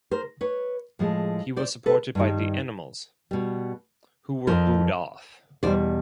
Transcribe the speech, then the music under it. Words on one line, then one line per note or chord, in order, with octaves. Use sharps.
He was supported by the Animals, who were booed off.
A#4 C5
B4 C#5
A2 F3 G#3
C5 D5
A4 B4
G2 D#3 G3
B2 G3
F2 C3 F3 A#4 C5
E2 B2 G3 C5 D5